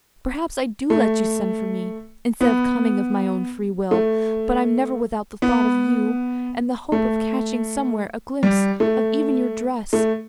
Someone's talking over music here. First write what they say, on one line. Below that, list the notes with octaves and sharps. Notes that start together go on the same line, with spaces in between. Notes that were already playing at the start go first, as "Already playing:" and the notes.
Perhaps I do let you send for me, instead of coming of my own free will; but I'm never without the thought of you, and the hope of catching somewhere a glimpse of even your dress.
A3
B3
A3
B3
A3
G3
A3
A3